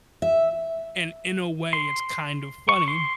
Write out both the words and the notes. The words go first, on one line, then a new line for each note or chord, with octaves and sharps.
and in a way, it's kind of funny.
E5
C6
C#6
C6